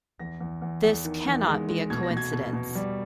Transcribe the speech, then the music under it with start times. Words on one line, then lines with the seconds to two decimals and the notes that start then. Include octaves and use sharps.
This cannot be a coincidence.
0.19 E2 A#6
0.40 E2
0.62 E2
0.83 E2
1.05 D#3
1.26 E2
1.48 G#3
1.69 G#3
1.90 B2 G#6
2.03 A#6
2.11 B2
2.17 G#6
2.33 B2
2.53 B2
2.75 G3